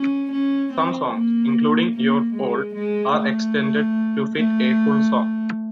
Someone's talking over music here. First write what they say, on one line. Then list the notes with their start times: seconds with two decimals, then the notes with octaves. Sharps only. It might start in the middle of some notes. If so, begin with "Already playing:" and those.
Some songs, including "You're Old," are extended to fit a full song.
Already playing: C#4
0.32 C#4
0.73 C4
1.13 A#3
1.93 A#3
2.34 G#3
2.74 G#3
3.14 A3
4.34 A3